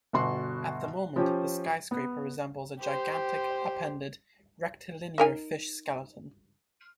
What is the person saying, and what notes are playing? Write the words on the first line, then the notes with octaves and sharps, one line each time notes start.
At the moment, the skyscraper resembles a gigantic, upended, rectilinear fish skeleton.
G1 B2 F#4 C6 F#6
F3 C#4 G4
B3
G4 C5
D#4 A#4 G#5